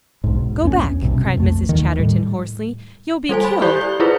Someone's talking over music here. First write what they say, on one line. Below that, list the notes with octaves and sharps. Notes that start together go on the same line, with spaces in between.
"Go back!" cried Mrs. Chatterton hoarsely, "you'll be killed."
B1 G#2
E2 B3 C#4
B1 G2 C3
F2 A3
D#2 D#3
A2 G3
G3 A4 C5 G#5
B5
E4 G4 C5 D5 G6 G7
E4 F4 G#4 B4 C5